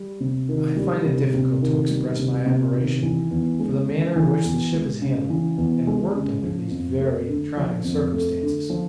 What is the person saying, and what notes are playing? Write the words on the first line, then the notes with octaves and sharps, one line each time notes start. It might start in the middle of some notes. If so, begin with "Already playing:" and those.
I find it difficult to express my admiration for the manner in which the ship is handled and worked under these very trying circumstances.
Already playing: G3
C3
D#3
G3
C3
C3
D#3
G3
C3
C3
D#3
E3
E2
G#3
C#3
E3
E2
G#3
C#3
E3
E2
G#3
C#3
F3
F2
A3
D3
F3
F2
A3
D3
F3